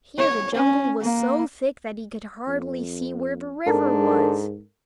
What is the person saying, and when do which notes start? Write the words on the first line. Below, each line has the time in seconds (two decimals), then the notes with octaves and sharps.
Here the jungle was so thick that he could hardly see where the river was.
0.18 C#5
0.55 C#4
1.01 A#3
2.47 F2
3.67 G#2 D4 A4 A#4